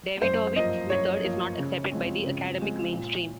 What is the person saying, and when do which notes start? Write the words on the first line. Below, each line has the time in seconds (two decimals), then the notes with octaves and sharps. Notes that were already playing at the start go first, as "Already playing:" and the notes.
Davidovits's method is not accepted by the academic mainstream.
0.22 F#2 C5
0.56 F3 A#3 D#5
0.90 F#2 C#5
1.24 F3 A#3
1.58 C#3
1.91 F3 G#3 C4
2.25 C#3
2.59 F3 G#3 C4
2.93 A#2